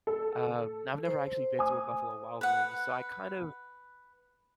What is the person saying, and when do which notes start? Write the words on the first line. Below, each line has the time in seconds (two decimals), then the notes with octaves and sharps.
um, I've never actually been to a Buffalo Wild Wings, so, I kind of
0.07 A4
1.05 C5
1.59 G#5 D#6
2.41 B4 F#5